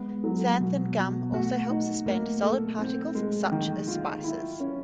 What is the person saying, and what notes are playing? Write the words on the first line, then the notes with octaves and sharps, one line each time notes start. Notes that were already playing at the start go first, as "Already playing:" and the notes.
Xanthan gum also helps suspend solid particles, such as spices.
Already playing: G#3 B3
F#3
B2
B2
A3 F#4
D#4
A3 A#3
A4
C4
G#3
D#3
F4
E4
C#4